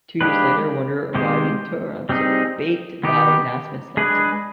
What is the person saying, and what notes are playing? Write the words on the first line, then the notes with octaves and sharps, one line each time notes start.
Two years later, Wonder arrived in Toronto, baked by Nasmiths Limited.
F3 G#3 D4 G4 B4
D#3 G#3 C4 G4 C5
G3 C4 D#4 G#4
D#3 B3 D#4 G4
G#3 D4 G#4 B4